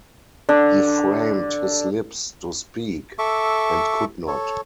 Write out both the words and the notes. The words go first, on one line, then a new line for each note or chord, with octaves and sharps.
He framed his lips to speak and could not.
D3 D4
A4 E5 C#6 D6
A4 C#5